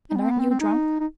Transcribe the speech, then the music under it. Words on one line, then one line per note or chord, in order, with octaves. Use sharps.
And aren't you drunk?
D#4
B3
C4
B3
C4
C4
D#4
D#4